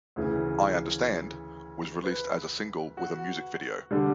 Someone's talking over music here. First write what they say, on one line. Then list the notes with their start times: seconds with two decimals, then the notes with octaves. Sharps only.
"I Understand" was released as a single with a music video.
0.16 D2 C#3 E3
2.04 B4
2.97 F#4
3.91 D3 G3 D4